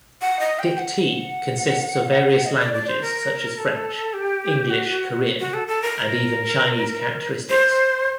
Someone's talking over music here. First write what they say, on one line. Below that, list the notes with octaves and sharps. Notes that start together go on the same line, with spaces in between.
"Dictee" consistes of various languages such as French, English, Korean and even Chinese characteristics.
F#5
D#5
G5
F#5
D#5
D5
D5
C5
A#4
A4
G4
F#4
F#4
A4
A4
A#4
C5